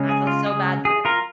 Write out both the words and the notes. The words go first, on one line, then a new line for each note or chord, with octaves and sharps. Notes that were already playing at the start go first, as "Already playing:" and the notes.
I feel so bad for him.
Already playing: C#3 G#3 C#4
G#4
F4
G#4
G#4
F4 A#4